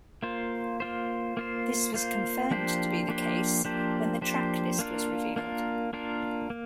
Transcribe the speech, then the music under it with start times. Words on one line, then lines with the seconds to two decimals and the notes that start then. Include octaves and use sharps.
This was confirmed to be the case when the track list was revealed.
0.23 A#3 F4 C5
0.80 A#3 F4 C5
1.37 A#3 F4 C5
1.94 A#3 F4 C5
2.51 F3 A#3 D4 G4 C5
3.08 F3 A#3 D4 G4 C5
3.65 F3 A#3 D4 G4 C5
4.21 F3 A#3 D4 G4 C5
4.79 A#3 D4 F4 A#4
5.36 A#3 D4 F4 A#4
5.93 A#3 D4 F4 A#4
6.50 A#3